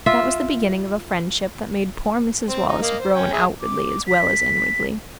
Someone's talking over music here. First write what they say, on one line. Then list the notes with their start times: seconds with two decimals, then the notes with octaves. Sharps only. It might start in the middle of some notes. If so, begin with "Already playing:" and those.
That was the beginning of a friendship that made poor Mrs. Wallace groan outwardly as well as inwardly.
0.06 F4 E5
2.49 C4
2.68 D#4
2.82 A#3 D#5
2.99 C5
3.14 C#4 G5
3.33 G#4 E5
3.61 D6
4.07 B6